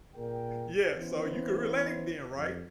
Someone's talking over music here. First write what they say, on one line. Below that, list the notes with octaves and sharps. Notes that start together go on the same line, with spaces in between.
Yeah, so you can relate then, right?
A#2 G#4 A#4 G5
E3 B3 C#4 E4 C5
F2